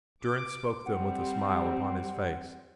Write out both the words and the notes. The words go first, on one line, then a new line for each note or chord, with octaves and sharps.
Durrance spoke them with a smile upon his face.
D6
G3 C4 F#5